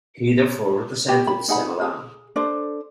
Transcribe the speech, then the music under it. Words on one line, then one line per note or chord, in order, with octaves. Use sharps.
He therefore resented Sima Lun.
G4
B5
D#4 G#4 F#5 B5
G#4
D4 A4 C5